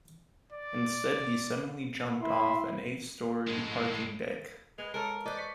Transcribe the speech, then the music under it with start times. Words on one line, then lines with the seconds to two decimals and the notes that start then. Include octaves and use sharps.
Instead he suddenly jumped off an eighth story parking deck.
0.52 D5
2.22 E4 C6
3.47 A2 G#3
4.78 G#3 B3 F7
4.94 G#3 A4 A#4 C#5 A#5 F6
5.25 B4 C5 D5 D#5
5.37 C#6 B6 C#7